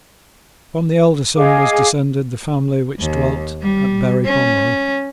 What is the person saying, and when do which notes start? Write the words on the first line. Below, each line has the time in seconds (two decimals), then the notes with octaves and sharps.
From the elder son was descended the family which dwelt at Berry Pomeroy.
1.36 G#4 D#5 F5 D6
2.99 D#2
3.61 G3
4.25 C#4